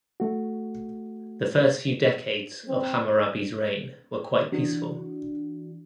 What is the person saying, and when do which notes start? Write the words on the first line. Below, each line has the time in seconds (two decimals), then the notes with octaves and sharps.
The first few decades of Hammurabi's reign were quite peaceful.
0.20 A3 F#4
2.68 C4
4.52 E3 D4 F#4